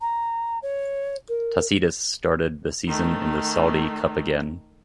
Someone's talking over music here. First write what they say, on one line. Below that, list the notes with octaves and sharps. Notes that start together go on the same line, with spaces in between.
Tacitus started the season in the Saudi Cup again.
A#5
C#5
A#4
D#3 A3